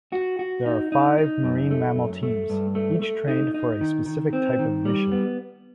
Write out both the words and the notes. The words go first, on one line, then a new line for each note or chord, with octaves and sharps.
There are five marine mammal teams, each trained for a specific type of mission.
F#4
F#4
D#4
D#4
D#4
F#2
A3
F#2
A3
G2
A3
A3
D#4
D#4
D#3
D#3
C4
D#3
G3
B3